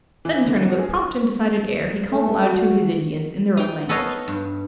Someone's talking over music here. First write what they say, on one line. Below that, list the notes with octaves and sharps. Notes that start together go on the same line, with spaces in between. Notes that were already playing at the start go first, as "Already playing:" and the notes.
Then, turning with a prompt and decided air, he called aloud to his Indians, in their own language.
E3
D3
F#4
G#4
A3
F#4
D#4 G5
B3 A4 B4 C#5 D#5 F5
G2